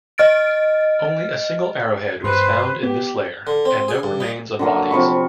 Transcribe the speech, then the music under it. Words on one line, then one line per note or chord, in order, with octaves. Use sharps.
Only a single arrowhead was found in this layer, and no remains of bodies.
D#5 F6 A6 D7
G2 B4 C5 C6 C7
B3 G4
D3
C4
G#4
G2
D#4
D3 F#3 A#3
C3 F3 B5 C#6